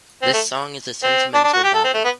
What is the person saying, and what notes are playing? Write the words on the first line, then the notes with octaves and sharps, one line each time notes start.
The song is a sentimental ballad.
C4
A3
C4
D4
D4
F#4
G4
A4
C4
A3
B3